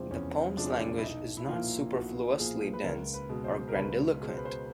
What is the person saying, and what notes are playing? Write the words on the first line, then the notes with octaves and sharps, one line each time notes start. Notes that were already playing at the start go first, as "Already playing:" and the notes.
The poem's language is not superfluously dense or grandiloquent.
Already playing: E2 C3 F3 G#3 C4 D4
E2 C#4
C3 F3 G#3 D4
C#4
D4
E4
B1 D#4
E4
A#2 F3 A#3 F4
B1 F#4
A#2 F3 A#3 G#4
B4
C#2 A#4
B4
B2 G#3
C5
A#4
C#2 B4
B2 G#3
C5
B4
C5